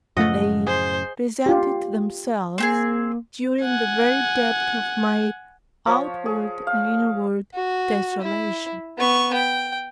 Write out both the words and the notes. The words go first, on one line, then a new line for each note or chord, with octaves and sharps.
They presented themselves during the very depth of my outward and inward desolation.
F#2 A2 C#3 F3 A3 D#5 F#5
G#4 C5
F4 G4
A#3 C4 G4 G#4
F#5 G#5
F3 C#5
G#4
F5
F#4
E4
B3 C#6
G5